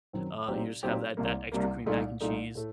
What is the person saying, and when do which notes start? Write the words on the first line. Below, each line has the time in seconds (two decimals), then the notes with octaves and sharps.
uh, you just have that that extra creamy mac and cheese,
0.13 F#2 D#3 F#3 C4
0.48 A#2 F#3 C4 D#4 G4
0.83 A#2 F#3 C4 D#4 G4
1.17 C2 C3 G3 A#3
1.52 C2 C3 G3 A#3
1.86 C2 A#2 A3 D#4
2.21 C2 A#2 A3 D#4
2.55 A2 A3